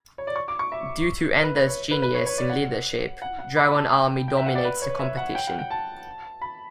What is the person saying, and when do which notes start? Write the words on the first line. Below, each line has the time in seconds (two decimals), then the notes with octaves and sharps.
Due to Ender's genius in leadership, Dragon Army dominates the competition.
0.18 C#5
0.27 D5
0.36 C#6
0.48 D6
0.59 C#6
0.72 E5
1.43 B4
1.55 B4
1.67 C#5
1.91 B4
2.02 B4
2.15 C#5
2.26 C#5
2.38 D5
2.50 F#5
3.22 F#5
3.39 F#5
3.56 B5
3.68 B5
3.75 A5
3.93 G5
4.28 G5
4.37 E5
4.46 F#5
4.55 D5
4.64 B4
4.82 C#5
4.99 E5
5.17 F#5
5.35 G5
5.47 F#5
5.59 G5
5.70 A5
6.42 B5